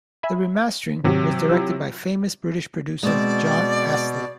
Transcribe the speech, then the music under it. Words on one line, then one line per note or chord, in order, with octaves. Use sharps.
The remastering was directed by famous British producer Jon Astley.
E5 G#5 B5
G#2 C3 D#3 F#3 F#4
E4 F4 E6
B2 G#3 C4 D5